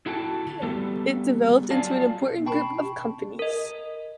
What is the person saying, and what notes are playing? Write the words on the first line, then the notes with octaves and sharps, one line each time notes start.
It developed into an important group of companies.
E4 F#4 A4 F#5 G5 A5
G3 A3 B3 G4 A4
F#3 F4 D5 F5 G#5 A5
G5 A5 B5 C#6
A#4 D#5